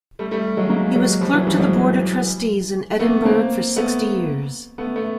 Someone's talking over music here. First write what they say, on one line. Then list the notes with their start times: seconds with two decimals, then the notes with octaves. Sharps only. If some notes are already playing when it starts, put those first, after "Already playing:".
He was clerk to the Board of Trustees in Edinburgh for sixty years.
0.19 G3 A3
0.31 G3 A3
0.57 F#3 G#3
0.70 G#3 A#3
0.95 F#3 G#3
1.21 F3 G3
1.34 E3 F#3
1.47 F3 G3
1.59 F#3 G#3
2.99 A3 B3
3.25 A#3 C4
3.76 A3 B3
4.78 A3 B3
4.96 A3 B3